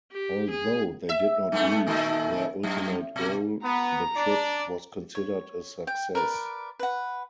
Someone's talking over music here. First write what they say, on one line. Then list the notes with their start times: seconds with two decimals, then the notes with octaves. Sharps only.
Although they did not reach their ultimate goal, the trip was considered a success.
0.12 G4
0.50 G#4
1.09 E5
1.52 G2 A3 B3
1.87 A#2 D#3 A3
2.63 F#2
3.16 B2
3.64 B3 A#5
4.15 D4 D5
5.15 C#5
5.87 G5
6.15 A#4 B4 D5
6.79 B4 F#5